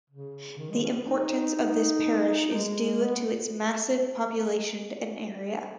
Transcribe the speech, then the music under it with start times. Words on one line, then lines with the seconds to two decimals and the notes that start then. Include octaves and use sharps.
The importance of this parish is due to its massive population and area.
0.10 C#3
0.58 D#3
0.71 G#3
0.82 C#4
0.95 B3
1.07 D#4
1.55 D#4
2.54 G#3
3.02 B3